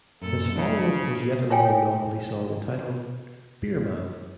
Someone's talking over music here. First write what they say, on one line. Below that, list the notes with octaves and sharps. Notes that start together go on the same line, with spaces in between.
His followup was yet another novelty song entitled "Beer Man".
F#2 A#2 A4
C#3 D4
E4 C#5 F5 G5 G#5